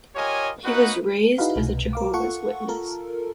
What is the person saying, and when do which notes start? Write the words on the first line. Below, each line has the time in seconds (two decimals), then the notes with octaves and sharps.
He was raised as a Jehovah's Witness.
0.15 F4 G4 A#4 C#5 D#5 G#5
0.64 A#3 C#4 D#4 F#4 B4 F#5
1.38 D#4 E4 F#4 G#4 B4 F5
1.56 C2 B2
1.93 A#4 F5 D6
2.13 F4 A4 F#5 C#6
2.68 F4 A4 A#4